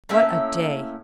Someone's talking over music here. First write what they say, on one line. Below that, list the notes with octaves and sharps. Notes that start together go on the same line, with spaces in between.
What a day!
A2 A#3 C#4 E5